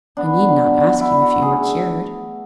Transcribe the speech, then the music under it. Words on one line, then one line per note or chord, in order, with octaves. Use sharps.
I need not ask you if you were cured.
B3 D4
F#3
D3 D4
E4
D3
F#4
A3 G#4